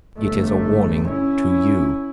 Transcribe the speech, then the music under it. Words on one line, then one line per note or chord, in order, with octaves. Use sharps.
It is a warning to you.
G1 A3
C#4 E4